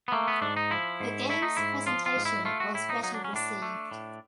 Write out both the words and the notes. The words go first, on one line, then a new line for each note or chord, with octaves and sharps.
The game's presentation was better received.
B3
A3 A#3
B3
G#2 D4
D#4
F3 E4
G#2
A3 E4
D#4
G#2 E4
F3 F4
F4
G#2
E4
A3 F4
F#4
A2 E4
D#4
F#3 D#4
D4
C#4
A2 D4
A3
A2